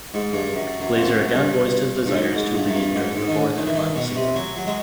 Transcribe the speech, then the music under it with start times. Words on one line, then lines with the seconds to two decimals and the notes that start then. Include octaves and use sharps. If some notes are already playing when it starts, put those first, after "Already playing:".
Glaser again voiced his desires to leave during the fourth and final season.
0.14 G#2
0.33 G2
0.54 F#2
0.80 F#2
0.97 F2
1.07 F#2
1.34 G2
2.06 G2
2.14 G#2
2.35 G#2
2.54 G2
2.67 F#2
2.75 G2
2.95 G#2
3.15 G#2
3.27 D#3
3.35 D3
3.56 D#3
3.67 E3
3.76 D#3
3.95 B2
4.15 C3
4.35 F#3
4.56 F#3
4.66 G#3